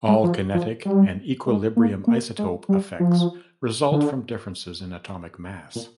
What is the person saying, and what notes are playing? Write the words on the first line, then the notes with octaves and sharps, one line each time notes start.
All kinetic and equilibrium isotope effects result from differences in atomic mass.
G#3
F3
F3
G3
G#3
A#3
A#3
G#3
G3
F3
D3
A#2